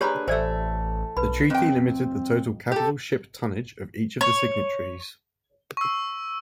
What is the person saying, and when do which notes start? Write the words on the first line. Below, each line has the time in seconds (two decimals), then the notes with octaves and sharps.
The treaty limited the total capital ship tonnage of each of the signatories.
0.01 A#3 D4 G4 G#4 B4 C#5 B5
0.28 A1 E3 A3 C5 D5 E6
1.17 B1 B4 B5
1.50 F2 C4 G5
2.72 G4 A4
4.21 C#5
5.77 C#6 E6